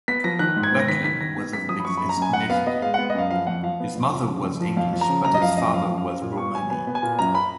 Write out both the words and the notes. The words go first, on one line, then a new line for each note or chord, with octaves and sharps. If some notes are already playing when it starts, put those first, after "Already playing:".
Buckland was of mixed ethnicity; his mother was English, but his father was Romani.
B3 B6
F3 A#6
D#3 F#6
G#2
G#6
B3
A#6
D#3 B6
D#3 B6
D#3 A#6
B3
F#2 B6
F3 D#6
B5
F#2 C#6
B5
F#2
A#5
F#2 G#5
F#2 F#5
B3 F5
B3 D#5
G#3 F5
F#5
B3
D#5
F#2 F5
F3 F5
F2 F#5
F3 F5
B3
F2
F3
C#3
F2
F3
F2 F5
F3
A#5
C#3
F#2 A#5
D#5
F3 F5
F#2 D#5
F3 F5
F#2
F5
F#2
A#2
B3 C#6
F#3 G#5
B3 G#5
B3
G#5
A#2
F#2 A#5
B5